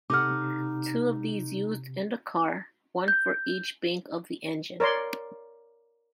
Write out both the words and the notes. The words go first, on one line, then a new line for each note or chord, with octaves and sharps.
Two of these used in the car: one for each bank of the engine.
C3 D#4 A4 F#5 D6 F6
G6
A#4 C#5 D5 C6